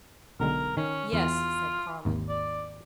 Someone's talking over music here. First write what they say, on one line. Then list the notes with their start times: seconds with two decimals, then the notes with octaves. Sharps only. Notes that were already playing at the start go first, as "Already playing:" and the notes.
"Yes," said Carling.
0.40 B1 D3 G#3 A#4
0.77 D#3 C#4
1.13 E2 F4
2.05 G#1 D#2
2.29 D5